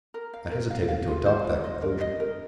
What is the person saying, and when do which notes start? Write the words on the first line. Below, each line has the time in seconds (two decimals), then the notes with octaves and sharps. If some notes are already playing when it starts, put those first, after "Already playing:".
I hesitated to adopt that conclusion.
0.14 A#4
0.33 F5
0.51 A#4
0.70 F5
0.88 F5
1.07 F4
1.26 C5
1.44 F4
1.64 D#5
1.82 A#4
2.01 D#5
2.20 A#4